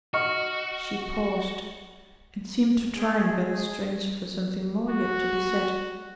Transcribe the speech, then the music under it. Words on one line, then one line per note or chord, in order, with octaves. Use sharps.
She paused, and seemed to try and gather strength for something more yet to be said.
F#4 D#5 C#6 F6
G#3 G#4
F#4